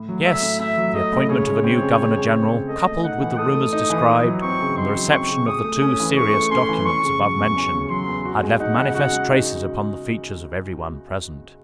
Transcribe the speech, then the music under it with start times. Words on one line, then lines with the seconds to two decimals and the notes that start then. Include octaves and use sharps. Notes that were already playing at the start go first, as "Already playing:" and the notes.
Yes, the appointment of a new Governor-General, coupled with the rumours described and the reception of the two serious documents above-mentioned, had left manifest traces upon the features of every one present.
Already playing: A2
0.09 F#3
0.25 A3 E5
0.42 A2
0.60 A2 E5
0.78 F#3
0.95 A3 D#5
1.13 A2
1.29 C#3 C#5
1.47 G#3
1.64 C4 C#5
1.82 C#3
1.99 C#3
2.17 G#3
2.35 C4
2.51 C#3
2.68 A4 D#5
2.86 A3
3.04 D#4 F#5
3.21 E3
3.38 A4 D#6
3.55 A3
3.73 D#4
3.90 E3
4.08 D#4
4.25 F#3
4.42 C4 C#6
4.60 C#3
4.78 D#4 C6
4.95 F#3
5.12 C4 C#6
5.29 C#3
5.47 G#4 D#6
5.64 A3
5.82 C#4
6.00 E3
6.16 G#4 C#6
6.33 A3
6.51 C#4 C6
6.69 E3
6.86 C#4 C#6
7.03 C#3
7.20 F#3 C#6
7.39 E2
7.56 C#4
7.73 C#3
7.90 F#3 C6
8.08 E2
8.25 F#4
8.43 G#3
8.60 D#4 F#5
8.77 C#3
8.95 F#4 F#5
9.12 G#3
9.30 D#4